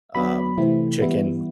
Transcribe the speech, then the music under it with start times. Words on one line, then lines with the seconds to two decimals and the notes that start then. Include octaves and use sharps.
um, chicken
0.15 F#3 B3 D4 B5
0.58 C3 E3 A3 C4 E4
1.00 E3 G3 B3 E4